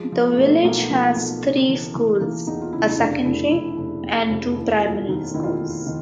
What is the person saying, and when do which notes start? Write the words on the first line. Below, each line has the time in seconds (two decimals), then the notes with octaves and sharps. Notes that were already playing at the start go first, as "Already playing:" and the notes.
The village has three schools-a secondary and two primary schools.
Already playing: F3 G#3
0.12 F3
0.25 A3
0.33 A#3
0.38 B1 A3
0.64 B1 A#3
0.78 B3
0.90 F3 A#3
1.16 B1
1.43 C#3
1.69 E3
1.95 E3
2.21 E3 A#3
2.47 E2 D#4
2.61 F4
2.73 C#3 E4
2.89 D#4
2.99 F1 D4
3.25 F1 E4
3.51 F1 E4
3.77 F1
4.03 E2
4.29 F1
4.56 D#2 E4
4.76 F#4
4.81 E1 F4
5.08 D#3 D#4
5.34 D#3 E4
5.43 F4
5.52 E4
5.60 E1
5.86 D#3